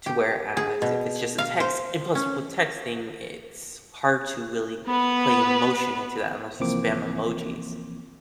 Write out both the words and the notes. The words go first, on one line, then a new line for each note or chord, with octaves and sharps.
To whereas if it's just a text and plus, with texting, it's hard to really play emotion into that unless you spam emojis
G4
G#4
B2
F5
C5
C#4
B3 B4
C2 E3 F3 A#3 C4 D6